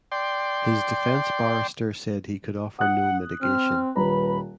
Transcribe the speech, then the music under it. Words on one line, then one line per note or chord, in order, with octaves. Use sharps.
His defence barrister said he could offer no mitigation.
D5 G5 C6
F#5 D#6 F#6
C4 F6
D#1 B4 A#5 B5